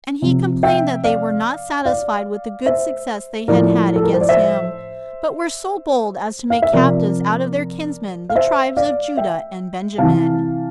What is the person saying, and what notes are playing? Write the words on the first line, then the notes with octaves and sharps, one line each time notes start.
And he complained that they were not satisfied with the good success they had had against him, but were so bold as to make captives out of their kinsmen the tribes of Judah and Benjamin.
C3 F3
E5 G5
D5 F5
D5 F5
C5 E5
A2 F3 A#4 D5
A4
A#4
C5
D5
C5 E5
F5
E5
C3 F3 A#4 D5
F5
C5 E5
D5 F5
E5 G5
C3 E3 F5 A5